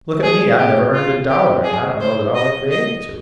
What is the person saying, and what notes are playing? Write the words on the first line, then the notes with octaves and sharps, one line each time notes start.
"Look at me; I've never earned a dollar, and I don't know that I'll ever be able to."
G#4
G4
F4
G4
G#4
C5
D#5
D#5